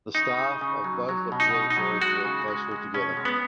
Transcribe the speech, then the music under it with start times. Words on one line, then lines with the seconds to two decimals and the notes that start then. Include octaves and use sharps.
The staff of both observatories work closely together.
0.15 C#3 D#4
0.39 C#3
0.61 C#3
0.84 F#3
1.09 F#3
1.32 B2
1.40 D#4
1.54 B2
1.70 D#4
1.77 F#3
2.01 G#3 F#4
2.25 C#3
2.48 G#3
2.72 G#3
2.94 B2 C#4
3.17 G#3
3.25 B3